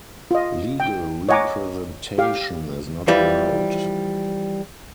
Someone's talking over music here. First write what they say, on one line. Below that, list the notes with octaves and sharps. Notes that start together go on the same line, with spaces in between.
Legal representation is not allowed.
F4 D#5
G5
C#5 D#5 F#5 G#5 A#5 D6
G4 F5
E3 F3 G3